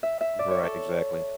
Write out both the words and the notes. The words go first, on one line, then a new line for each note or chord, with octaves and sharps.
Right, exactly.
E5
E5
D5
C#5
A4